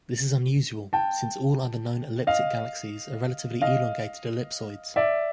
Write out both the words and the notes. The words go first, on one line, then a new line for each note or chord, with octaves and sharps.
This is unusual, since all other known elliptic galaxies are relatively elongated ellipsoids.
G5 A5
D#5 F5
D#5 F5
D5 E5